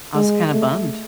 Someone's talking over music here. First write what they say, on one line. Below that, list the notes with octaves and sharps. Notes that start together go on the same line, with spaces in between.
I was kinda bummed.
G#3
A3